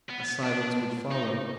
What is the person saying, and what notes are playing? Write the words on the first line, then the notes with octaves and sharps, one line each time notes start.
A silence would follow.
B3
D4
D#4